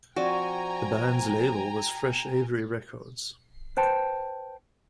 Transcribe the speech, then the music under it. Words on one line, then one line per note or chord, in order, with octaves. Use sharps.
The band's label was Fresh Avery Records.
F3 C4 F#4 D5 G5 G#5 A#5
B4 C5 G5 A5